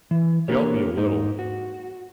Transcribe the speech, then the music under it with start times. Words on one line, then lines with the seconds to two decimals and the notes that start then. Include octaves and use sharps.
He helped me a little.
0.11 E3
0.48 A#3 D4 G4 A#4 C#5
0.97 G#2 D#4
1.39 F#4